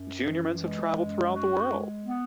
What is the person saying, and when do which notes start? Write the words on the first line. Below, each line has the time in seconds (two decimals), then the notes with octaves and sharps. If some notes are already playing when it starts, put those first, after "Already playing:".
Junior Mints have traveled throughout the world.
Already playing: F#2
0.24 E3
0.62 G#3
0.97 F#2
1.33 F#4
1.70 G#3
2.05 B3